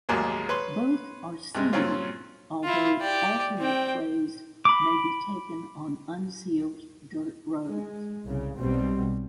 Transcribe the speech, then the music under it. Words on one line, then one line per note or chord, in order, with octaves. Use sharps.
Both are sealed, although alternate ways may be taken on unsealed dirt roads.
A1 D#2 F#3 G#3 A#3 G#4
B4 C#5 C6
G2 C3 G#3
G2 A#2 F#3 C4 C#4 F4
E4 F4
G4 D5
C4 G5
B5 D6
G#3
C2 C#3
B1 B2 G3 C4